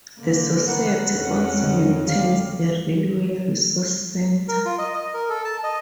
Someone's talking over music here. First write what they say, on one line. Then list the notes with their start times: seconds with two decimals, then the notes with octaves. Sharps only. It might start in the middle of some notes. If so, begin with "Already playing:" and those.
The society also maintains the Railway Resource Centre.
0.20 D3 A#3
0.66 A#4 B4 F#5
1.08 F2 C#4
1.63 D3 F3 D#5
2.07 G4 F5
4.48 A#4
4.66 F4
4.79 D#5
4.94 D#5
5.14 A#4
5.29 A4
5.45 A5
5.64 D#5